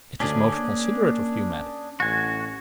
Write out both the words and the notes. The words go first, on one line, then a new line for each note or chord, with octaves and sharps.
"It is most considerate of you, madam."
D2 C#4 D4 G#4
A#3
A1 F#4 G#5